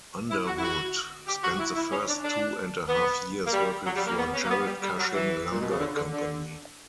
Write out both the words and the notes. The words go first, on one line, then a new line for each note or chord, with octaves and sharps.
Underwood spent the first two and a half years working for Jarrett-Cushing Lumber Company.
E4
F#4
E4
F#4
G4
F#4
E4
E4
C#4
D4
D4
B3
A#3
G3
F#3
G3
A#3
B3
C#4
A#3
B3
G3
G3
F#3
E3
A#2
B2
C#3
D3
D3
D3